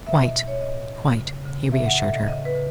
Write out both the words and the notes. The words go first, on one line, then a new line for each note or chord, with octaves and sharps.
"Quite--quite," he reassured her.
B2 E5
D#5
B2
C#5
A2 D#5
A2
C#3
C#3
A2 E5
F#5
A2 E5
D#5
C#3 D#5
B4
C#3